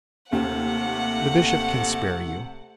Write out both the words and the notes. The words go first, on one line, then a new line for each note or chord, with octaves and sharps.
The bishop can spare you.
D#2 C3 A3 G4 F#5